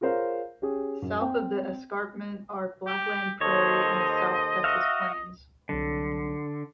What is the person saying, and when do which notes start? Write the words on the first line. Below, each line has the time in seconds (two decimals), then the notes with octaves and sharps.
South of the escarpment are Blackland Prairie and the South Texas plains.
0.01 F4 G#4 A#4 C5 C#5 F5
0.62 C#4 G4 G#4
1.02 F#2
1.21 C4 C5 G5
2.87 G4
3.41 D#2 A4 C5 C#5 D#5
4.64 F#4 E5 F5
5.69 C2 D3 F#3